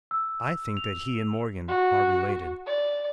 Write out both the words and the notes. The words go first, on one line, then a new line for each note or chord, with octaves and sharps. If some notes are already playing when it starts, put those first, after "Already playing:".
I think that he and Morgan are related.
E6
F7
F#4
D5